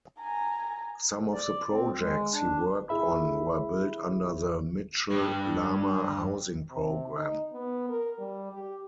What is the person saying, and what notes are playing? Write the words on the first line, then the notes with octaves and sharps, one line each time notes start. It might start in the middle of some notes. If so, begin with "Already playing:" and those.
Some of the projects he worked on were built under the Mitchell-Lama Housing Program.
G#5 A#5
D5
C4
G#3
D4
E4 G#4 E5 B5
G2
C3
D#4
B3
A#4
G3
G4